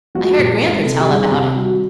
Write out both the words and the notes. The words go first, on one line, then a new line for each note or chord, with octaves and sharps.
I heard Gran'ther tell about it.
F3 G#3 F#4
A#2 G4
F3 G#3
C3 A4
G4
D#3 G3 G#4
C3 G4
D#3 G3 F#4